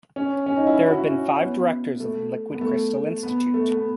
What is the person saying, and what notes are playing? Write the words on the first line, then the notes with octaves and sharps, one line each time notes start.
There have been five directors of the Liquid Crystal Institute.
C#4
C#4
D#4
E4
E4
F#4
E4
C#4
B3
A3
B3
A3
B3
A3
B3